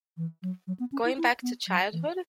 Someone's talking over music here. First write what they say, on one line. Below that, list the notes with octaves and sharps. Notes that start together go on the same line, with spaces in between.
Going back to childhood?
E3
F#3
F#3
B3
C#4
E4
E4
B3
F#3
E3